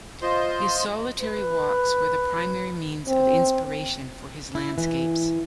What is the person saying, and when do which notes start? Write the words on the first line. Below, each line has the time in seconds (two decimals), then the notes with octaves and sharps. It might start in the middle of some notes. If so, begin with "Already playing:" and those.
His solitary walks were the primary means of inspiration for his landscapes.
0.22 F4 C5 D#5 C6
1.21 B4
3.07 C4
4.55 E4
4.78 E3